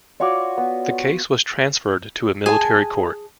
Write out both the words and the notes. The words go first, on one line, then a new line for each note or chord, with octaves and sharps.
The case was transferred to a military court.
F4 F#4 C#5 D5 C#6
B3
G#4 G#5 A5